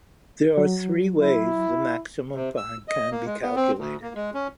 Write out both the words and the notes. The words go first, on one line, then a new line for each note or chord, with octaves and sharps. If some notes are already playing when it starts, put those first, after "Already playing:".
There are three ways the maximum fine can be calculated.
F#3
E4
C3
E6
D#5
A#3
G#3
B3
C4
D2
A#3
G#3
C#4